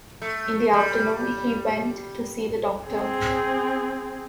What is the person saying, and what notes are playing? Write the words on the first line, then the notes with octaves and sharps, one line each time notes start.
In the afternoon he went to see the doctor.
A3
G3
C4 G#4